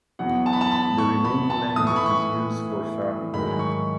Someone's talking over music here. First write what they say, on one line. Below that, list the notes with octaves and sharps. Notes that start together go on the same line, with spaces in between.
The remaining land is used for farming.
E2 B2 F#3 F#5
A5
B5
A5
B5
C#6
B5
A5
A2 E3 D#6
C#6
B5
C#6
G#2 D#3 F#3 B5
C#6